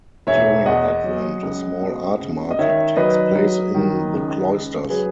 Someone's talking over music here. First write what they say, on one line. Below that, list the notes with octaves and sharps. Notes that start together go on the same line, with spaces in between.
During Advent, a small art market takes place in the cloisters.
E1 C#5 E5
E2 D#5 F#5
F#3
C#2
B2
C#2
D#5
D#3 C#5 E5
F#3 B4 D#5
F#3
D#3
C#2
C#2
F#3 G#4 B4